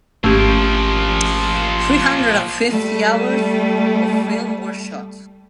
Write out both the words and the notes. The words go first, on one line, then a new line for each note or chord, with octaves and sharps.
Three hundred and fifty hours of film were shot.
G#1 F3 A3 A#3 C#4 G4
G3 A3